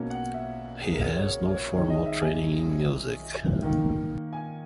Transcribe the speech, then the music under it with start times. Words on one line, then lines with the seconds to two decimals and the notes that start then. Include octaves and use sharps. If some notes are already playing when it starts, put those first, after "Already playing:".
He has no formal training in music.
Already playing: B2 A#3 C#4
0.10 F#5
0.34 E5
0.81 G#4
0.92 A#4
1.04 A#4
1.16 C#5
1.28 C#5
1.51 C#5
1.75 D#3 G#3 D#4 C#5
1.90 D#5
2.06 E5
2.21 G#5
3.63 D#3 A#3 D#4
4.33 G#5